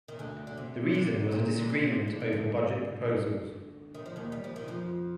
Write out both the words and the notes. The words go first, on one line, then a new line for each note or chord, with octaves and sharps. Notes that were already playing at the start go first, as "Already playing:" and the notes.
The reason was a disagreement over budget proposals.
D#3
D2 D3
D3
C3
D2 D3
A#2
D3
C3
D3
C3
D2 D3
D#3
F3
D#2 D#3
G3
F3
D#3
F2 F3